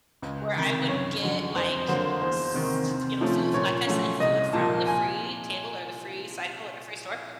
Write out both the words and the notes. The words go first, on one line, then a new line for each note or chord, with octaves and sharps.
where I would get, like, s you know, foo like I said, food from the free table, or the free cycle, or the free store.
C#2
C3 D#3
F#2 C#5
D3 F#3
F2 C5
D3 F#3 A#3 C5
E2 C5
C3 D#3
C3
F3 A3 C#4
A#2 C#5
F#3 A3 C#4
C2 D#5
A#2 F3 A#3 A5
G#5